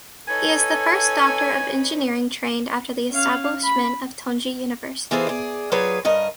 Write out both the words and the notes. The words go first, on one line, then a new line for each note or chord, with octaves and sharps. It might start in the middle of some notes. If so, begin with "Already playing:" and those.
He is the first doctor of engineering trained after the establishment of Tongji University.
D#4 A4 B4 C#5 G#5 G#6
C#4 F5
B5
E3 B3 F4 G#4 A4 C5
G#4 D5
F#3 F4 G#4 B4 C#5 D5
G2 A#4 D#5